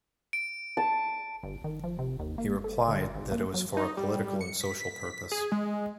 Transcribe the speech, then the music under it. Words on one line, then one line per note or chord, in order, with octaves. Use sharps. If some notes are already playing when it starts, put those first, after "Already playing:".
He replied that it was for a "political and social purpose".
D7
A5
G1
D#3
F3
C3
D#2
A#3
A4
D3
G#1
A#3
F#3
D#4
G3
C#7
B6
G#4
G#3